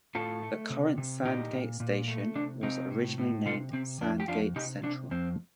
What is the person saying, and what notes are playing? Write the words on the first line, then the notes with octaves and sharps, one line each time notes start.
The current Sandgate station was originally named Sandgate Central.
A2 F4 A4
A3
C3
C3
A#2 D#4 G4
A#2
A#2
A3
C3 D4
C3 C4 D#4
A2
A2
C3 F4 A4
C3 C4
F2 D4
G4
F2 D4 F4
C3 D#4 G4
C3 D4
F2 C4